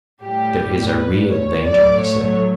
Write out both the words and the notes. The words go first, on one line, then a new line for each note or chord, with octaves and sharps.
There is a real danger, he said.
A2 G3 G4
B4
C#5
A2 F#3 A3 D5
C#5